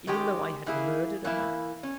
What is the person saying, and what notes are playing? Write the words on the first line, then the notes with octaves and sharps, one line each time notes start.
Even though I had murdered a man?
D#3 G#3 C#4 G4
E3 A#3 E4 G#4
E3 A#3 E4
C#4